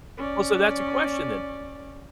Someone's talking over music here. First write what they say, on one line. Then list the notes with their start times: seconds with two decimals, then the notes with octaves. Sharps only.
Well, so that's a question then.
0.18 C#4 D5